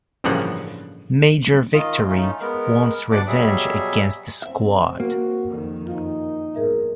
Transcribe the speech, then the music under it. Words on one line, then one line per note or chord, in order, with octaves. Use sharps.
Major Victory wants revenge against the Squad.
A1 G2 C#3 F3 A#3 F#5
D#3 F4 D#5
A3 C#4 D#4 F4
G#3 B3 A#4
D2 B2 D4 D5 F#5 D6
B2 F#3 G3 G#4 E5
F#1 C4 E5
A#3 F#4
F2 D#3
F#2 D#4 F4 F5
B1 G#2 G#4 A#4 E5